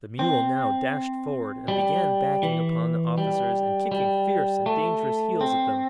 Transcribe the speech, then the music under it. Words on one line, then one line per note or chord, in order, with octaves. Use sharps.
The mule now dashed forward and began backing upon the officers and kicking fierce and dangerous heels at them.
C4
G3
E3
G3
G3
A3
C4